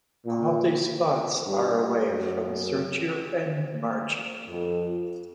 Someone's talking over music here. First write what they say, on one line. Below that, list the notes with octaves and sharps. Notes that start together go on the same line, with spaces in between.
All the spots are away from suture and margin.
A#2
G2
F#2
F2